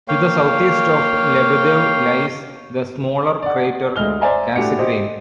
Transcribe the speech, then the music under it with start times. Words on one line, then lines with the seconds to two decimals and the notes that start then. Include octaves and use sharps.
To the southeast of Lebedev lies the smaller crater Cassegrain.
0.08 A#3 C#5 F5 G5
3.42 D5 F#5
3.96 D2 G#3 D#5 F6 G7
4.21 C5 D5 E5 G#5 A#5
4.56 A2 D4 F#4 G4 C#7
4.79 G4 C5 D#5